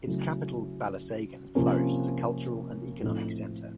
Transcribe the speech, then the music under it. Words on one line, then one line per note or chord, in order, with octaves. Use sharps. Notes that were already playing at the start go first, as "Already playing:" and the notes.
Its capital, Balasagun flourished as a cultural and economic centre.
C#3 F#3 A3 C#4 E4
C3 F3 A#3 C#4
A2 F3 A3 C4 D#4